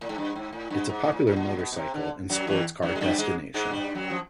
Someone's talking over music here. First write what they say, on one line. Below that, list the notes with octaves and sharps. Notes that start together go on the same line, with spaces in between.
It is a popular motorcycle and sports car destination.
A2
G#2
G2
G#2
A2
G2
G#2
A#2
A2
A2
A#2
B2
B2
C3
D3
F#2 F#3
E2 E3
F#2 F#3
G#3
G2 G3
G#2 G#3
G#2 G#3
G2 G3
F#2 F#3
F3